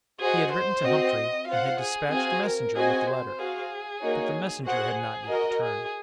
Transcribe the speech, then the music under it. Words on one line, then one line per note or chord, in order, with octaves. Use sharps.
He had written to Humphrey, and had dispatched a messenger with the letter; but the messenger had not yet returned.
F#4 G#4 C5 D#5 F#5
C5
C4 F#4 C5 D#5
F4 C5 F5 F#5
G#4
C4 F#4 G#4 C5 F5 G#5
A#4
C4 F#4 G#4 C5 D#5 G#5
C5
F#4 G#4 C5 F5
A#3 D#4 F#4 C#5
F#4 G#4 C5 F#5
G#4
F#4 A#4 D#5
G#4